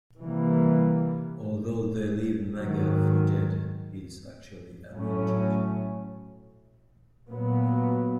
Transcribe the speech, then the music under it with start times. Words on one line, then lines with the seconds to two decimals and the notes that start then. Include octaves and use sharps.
Although they leave Magua for dead, he is actually uninjured.
0.19 C3 E3 G3 A#3
2.56 G#2 D#3 F#3
4.93 A2 F#3 A3 C#4
7.28 A#2 F#3 B3